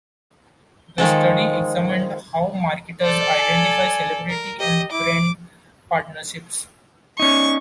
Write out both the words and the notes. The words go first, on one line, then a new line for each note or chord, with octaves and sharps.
The study examined how marketers identify celebrity and brand partnerships.
D#3 F3 G#3 A4
A4 C5 D5
G#5
A#4
G4 D#5
E4 D6
C#4 D#4 C#6